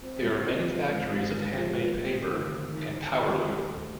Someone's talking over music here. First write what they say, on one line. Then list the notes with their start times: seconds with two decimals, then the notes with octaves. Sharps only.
There are many factories of Handmade paper.. and powerloo.
0.02 C4
0.24 C2
0.46 C4
0.68 F3
0.90 G#1
1.11 G#1
1.33 G#3
1.55 F3
1.76 A#2
1.98 F1
2.20 D#3
2.40 C3
2.62 D#3
2.85 D#3
3.05 D#3
3.27 G3
3.48 G3
3.71 D2